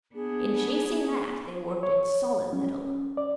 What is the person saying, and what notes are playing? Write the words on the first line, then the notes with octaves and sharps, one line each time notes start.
In chasing that they worked in solid metal.
B3 D4 G#4
C#5
C#4
D5